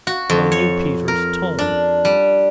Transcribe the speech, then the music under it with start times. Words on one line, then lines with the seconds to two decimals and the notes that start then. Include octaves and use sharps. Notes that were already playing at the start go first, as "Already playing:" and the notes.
And I knew Peter's tone.
0.07 F#4
0.30 F2
0.52 C#5
1.08 A#4
1.59 D4
2.05 G3